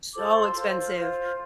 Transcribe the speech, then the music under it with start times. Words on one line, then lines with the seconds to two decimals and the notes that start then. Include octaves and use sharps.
So expensive.
0.14 F4 A4 C5 D6
0.35 C6
0.54 F4 A4 C5
0.95 F4 C5